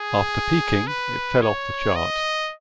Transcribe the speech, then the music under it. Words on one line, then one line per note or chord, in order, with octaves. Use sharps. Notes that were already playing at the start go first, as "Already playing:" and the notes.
After peaking, it fell off the chart.
Already playing: G#4
B4
C#5
D#5